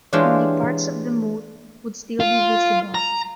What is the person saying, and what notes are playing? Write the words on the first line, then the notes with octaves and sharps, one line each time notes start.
Only parts of the moat would still be visible.
E3 G#3 D4 F4 G4 C#5
F4
A#5